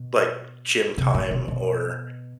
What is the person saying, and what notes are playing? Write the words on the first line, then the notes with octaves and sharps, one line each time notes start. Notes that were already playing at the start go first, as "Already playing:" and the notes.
like, gym time or
Already playing: B2
C3
A2
B2
B2